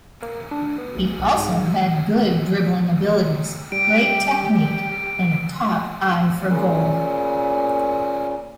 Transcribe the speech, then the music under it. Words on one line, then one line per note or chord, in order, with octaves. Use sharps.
He also had good dribbling abilities, great technique and a top eye for goal.
A#3
D4
B3
B1
B1
G#2
G3 G4 D7
A#2 C#3